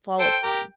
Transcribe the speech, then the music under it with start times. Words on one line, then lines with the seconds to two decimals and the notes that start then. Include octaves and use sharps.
fall upon.
0.19 A4 C5 G5
0.43 G4 A#4